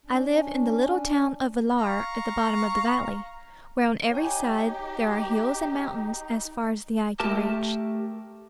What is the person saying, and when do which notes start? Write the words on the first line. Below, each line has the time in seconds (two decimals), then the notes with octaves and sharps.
I live in the little town of Villar at the bottom of the valley, where on every side there are hills and mountains as far as the eye can reach.
0.06 C#4 D4
1.77 F5 A#5 C#6
4.11 D#4 G4 C#5 G5 G#5
7.20 A3 G4 A#4 A5